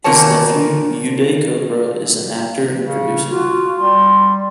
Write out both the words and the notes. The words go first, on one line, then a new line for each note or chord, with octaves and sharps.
His nephew Uday Chopra is an actor and producer.
E2 A#2 D#3 A#4 C#5 A5
C#3
F4 F#4
G3 C6